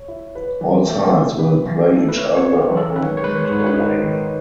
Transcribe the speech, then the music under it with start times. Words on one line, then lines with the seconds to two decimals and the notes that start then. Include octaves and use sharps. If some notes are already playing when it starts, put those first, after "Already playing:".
All sides will play each other home and away.
Already playing: C#5
0.08 E4
0.35 B4
0.61 E3
0.87 A3
1.13 E4
1.39 B4
1.65 E3
1.91 A3
1.99 A4
2.09 B4
2.18 E4 C#5
2.37 C#5
2.44 B4
2.56 G#4
2.70 E3
2.77 A4
2.95 D#3 B4
3.03 C#5
3.10 B4
3.17 C#5
3.22 G#3 B4
3.31 C#5
3.38 B4
3.45 C#5
3.48 G#2 B4
3.60 C#5
3.66 B4
3.74 G#2 D#5
4.00 D#3